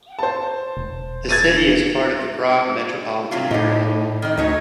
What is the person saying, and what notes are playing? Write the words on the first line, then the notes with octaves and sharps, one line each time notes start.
The city is part of the Prague metropolitan area.
C5 A5
E1
G#6 A6 D#7
C3 F#3 F4
A2 G3 D#4
D#3 D#4
D2 A3 D#4 C#5